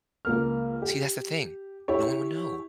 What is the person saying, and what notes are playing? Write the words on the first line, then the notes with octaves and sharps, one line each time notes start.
See, that's the thing. No one would know.
C#2 A#3 F6
G4
E4 G4 C#5